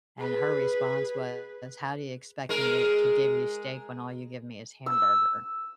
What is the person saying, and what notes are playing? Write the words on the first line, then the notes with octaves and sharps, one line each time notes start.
and her response was, "How do you expect me to to give you steak when all you give me is hamburger?"
G#4 B4
G#3 A#4
E6